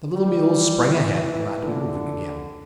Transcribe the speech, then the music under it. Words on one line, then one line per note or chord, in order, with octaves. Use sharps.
The little mules sprang ahead, glad to be moving again.
G3
E3
D3